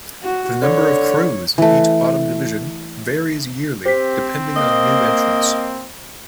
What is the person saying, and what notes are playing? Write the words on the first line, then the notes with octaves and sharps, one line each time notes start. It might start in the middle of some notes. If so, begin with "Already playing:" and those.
The number of crews in each bottom division varies yearly depending on new entrants.
F#4
D3 C#5
E3 A3
C4 G4 C5 B6
A#3 D#5